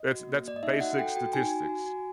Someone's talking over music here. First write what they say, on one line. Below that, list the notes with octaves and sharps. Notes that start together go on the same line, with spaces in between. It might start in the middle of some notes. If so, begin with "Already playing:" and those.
that's that's basic statistics.
Already playing: D#5
F#4
A#3
A#3 D5
D#5
D#4 E5
F#4 F#5
A4 G5
F#4 G5
D#4 G#5
F#4
F#4
F#4